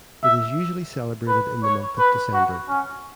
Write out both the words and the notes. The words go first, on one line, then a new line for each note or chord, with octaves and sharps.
It is usually celebrated in the month of December.
E5
B4
C#5
B4
F#4
C#4